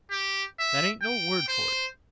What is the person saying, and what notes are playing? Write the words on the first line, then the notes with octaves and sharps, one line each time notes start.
'That ain't no word for it.
G4
E5
G5
C5